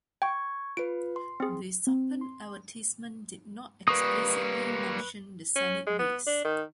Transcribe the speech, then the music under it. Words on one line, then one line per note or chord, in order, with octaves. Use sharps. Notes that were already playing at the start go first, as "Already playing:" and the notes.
The Suppan advertisement did not explicitly mention the Senate race.
G5 C#6 G#6
F4 B4 D7
C6
C4 G#4
C4
C6
G3 A#3 B4 C#6 D#6
C#4
G#3
B3
D4
D#3